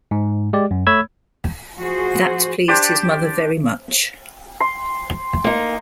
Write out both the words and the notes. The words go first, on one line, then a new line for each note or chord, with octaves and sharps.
That pleased his mother very much.
G#2
G#3 G4 D5
F#2
A3 C#5 B5 E6 G#6
F3 F#4 G#4 C5
D4 G4 C5 D5
C6
A#3 D#4